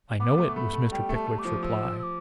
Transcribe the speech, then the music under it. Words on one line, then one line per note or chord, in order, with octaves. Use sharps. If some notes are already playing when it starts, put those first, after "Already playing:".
'I know it,' was Mr. Pickwick's reply.
B3 D6
A3
A3 B5
A3
G3 G5
A3
A5
A3
D6
F3
F3 E6
E6
D6